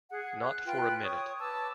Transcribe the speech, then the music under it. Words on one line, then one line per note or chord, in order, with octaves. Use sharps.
Not for a minute.
G#4 F#5
F#6
F4 B4 G5 F#6
C#5 C#6 D#6
B4 A5 D6 E6